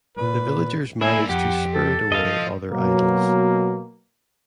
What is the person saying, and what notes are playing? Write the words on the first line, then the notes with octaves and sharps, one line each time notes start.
The villagers managed to spirit away other idols.
A#2 B4
A#3 D4 E4 E5 G#5
F2 G4 F#5
A4
E2 D#5 F5
F3
B2 F#3 A#3